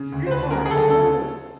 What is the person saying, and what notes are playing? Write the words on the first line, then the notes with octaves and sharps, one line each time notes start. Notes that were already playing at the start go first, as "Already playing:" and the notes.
Sitar. Oh.
Already playing: C#3
D2
C5
D2 B4
C#3 A#4
G#4
D2 A4
C#3 A4